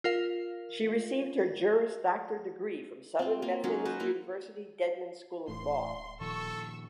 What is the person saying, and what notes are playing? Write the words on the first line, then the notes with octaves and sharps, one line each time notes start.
She received her Juris Doctor degree from Southern Methodist University Dedman School of Law.
F4 A#4 F5
C4 F4
A#3 F4
F#3 G#3 C#4 D#4
F#4 B4 C5
A#3 E4 F4
D1 A2 E3 C6
A#2 D#3 F3 A4 C#6 E6